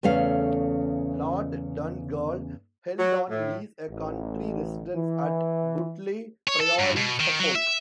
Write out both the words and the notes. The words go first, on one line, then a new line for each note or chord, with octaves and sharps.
Lord Donegall held on lease a country residence at Butley Priory, Suffolk.
E2 C#3 A3 C#4 F5
F#3
A2
A1
E3
C#5
A4
G2
B2
D#3
F#3
E5